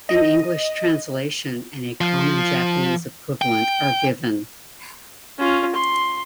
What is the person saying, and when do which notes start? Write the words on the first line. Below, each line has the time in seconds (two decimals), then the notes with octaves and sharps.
An English translation and a common Japanese equivalent are given.
0.09 D#5
2.01 F3
3.42 G5
5.38 C#4 F4
5.75 C6